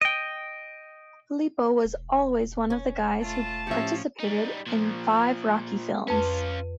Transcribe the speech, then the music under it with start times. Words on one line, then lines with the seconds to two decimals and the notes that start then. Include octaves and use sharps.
Filippo was also one of the guys who participated in five Rocky films.
0.01 D#5 G5
1.85 E1
2.70 C#4
3.21 A3 F4 A5
3.67 A2 F3 C#4 G4 E5
4.20 G3 D#4
4.67 A#2 F3
6.08 F2 C#4 F4 B4